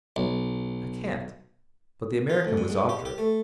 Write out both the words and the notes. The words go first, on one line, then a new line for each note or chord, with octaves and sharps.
I can't!' But the American was obdurate.
B1
F4
D2
G2
G#2
G4
G4
A3